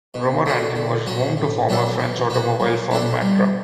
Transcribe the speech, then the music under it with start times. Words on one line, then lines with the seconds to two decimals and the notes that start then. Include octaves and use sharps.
Romorantin was home to former French automobile firm Matra.
0.14 B2
0.46 A3 D4 F#4
0.75 D3
1.07 F#3 C#4 F#4
1.37 A2
1.69 F#3 B3 D4 A4
1.99 E3
2.30 B3 F#4
2.60 F#3
2.91 B3 D4 A4
3.21 G3